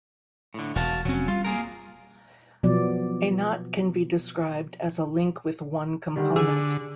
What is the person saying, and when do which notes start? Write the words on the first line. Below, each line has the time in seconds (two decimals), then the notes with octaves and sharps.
A knot can be described as a link with one component.
0.54 A2 D3
0.76 E1 F#4 F5 A5
1.05 F1 F#3 C4 C#4
1.28 G3 F4
1.44 A#3 G#4 A#4
2.63 B2 F3 F#3 B3 D5
6.16 D3 D#3 G3
6.36 D3 G#4 E6